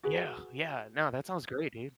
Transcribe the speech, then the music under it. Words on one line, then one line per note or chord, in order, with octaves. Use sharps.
Yeah. Yeah. Now, that sounds great, dude.
F#4 G#4 B4